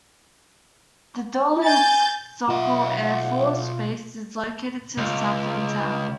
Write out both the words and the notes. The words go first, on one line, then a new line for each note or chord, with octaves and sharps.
The Dolinsk-Sokol air force base is located to the south of the town.
G#5 G6 A6
B1 F4 D#5 E5 F#5
C#2